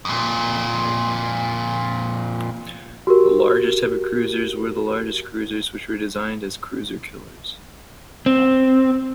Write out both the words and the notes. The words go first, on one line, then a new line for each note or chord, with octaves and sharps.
The largest heavy cruisers were the large cruisers, which were designed as "cruiser killers".
F2 A#2
F#4 G4 A#4
C4